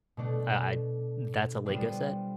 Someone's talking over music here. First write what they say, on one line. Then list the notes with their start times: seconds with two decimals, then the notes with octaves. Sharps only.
I I that's a LEGO set?
0.17 B2 A3 D4
1.66 G3 B3 D4 F4 C5